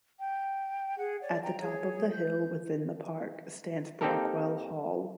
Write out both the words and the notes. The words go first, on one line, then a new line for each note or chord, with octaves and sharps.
At the top of the hill within the park stands Brockwell Hall.
G5
G#4 F#5
C#5 D5
G5 A#5
G#4 C#5
G6
A#3 C4 D#4 G4 A4 A#4